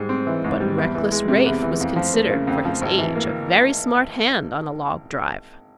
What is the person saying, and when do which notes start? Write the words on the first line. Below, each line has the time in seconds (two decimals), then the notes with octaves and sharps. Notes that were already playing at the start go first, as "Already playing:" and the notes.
But reckless Rafe was considered, for his age, a very smart hand on a log drive.
Already playing: G#2 G3 G#3
0.09 C4
0.27 E3
0.44 G#2
0.60 G3
0.78 E2
0.95 E3
1.12 G#3
1.28 C3
1.46 E2
1.62 E3
1.80 F2
1.96 F3
2.14 A#3
2.31 C#3
2.47 F2
2.65 F3
2.81 G#1
2.98 E3
3.15 A#3